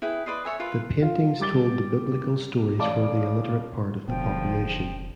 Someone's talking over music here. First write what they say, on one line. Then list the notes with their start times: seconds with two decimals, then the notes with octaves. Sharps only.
The paintings told the biblical stories for the illiterate part of the population.
0.02 E4 G#4 B4 G5
0.26 B4 D5 D#5 C6
0.45 A4 C#5 E5 G#5
0.60 F4 A#4 B4
1.02 F4
1.39 G3 G4 D6 A6 G7
2.79 A1 D5 F5 A5 D6
4.08 F1 B2 D3 F3 G5